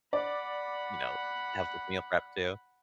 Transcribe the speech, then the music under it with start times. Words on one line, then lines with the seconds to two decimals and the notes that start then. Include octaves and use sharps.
you know, helps with meal prep, too.
0.13 D5 F#5 B5